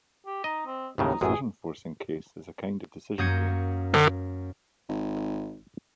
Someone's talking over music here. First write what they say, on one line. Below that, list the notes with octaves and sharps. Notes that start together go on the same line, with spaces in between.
A decision-forcing case is a kind of decision game.
G4
D#4 D#5
C4
D#2 A2 C#3 D#4
A1 F#2 G#4
F#2 A#3 D#6 G6 G#6 C#7
G#1